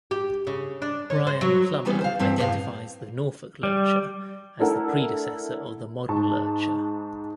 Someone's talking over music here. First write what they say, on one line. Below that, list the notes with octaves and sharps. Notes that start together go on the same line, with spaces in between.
Brian Plummer identifies the Norfolk lurcher as the predecessor of the modern lurcher.
G4
C#3
D4
C#4
C5
F#3
C3 E3 G3 B3 C#4
C5 F5
G2 E3 C4
A2 C3 B3 C#5 F5
G3
A3 D4 E4 A4 A#4 F#5
G#2 A5 C#6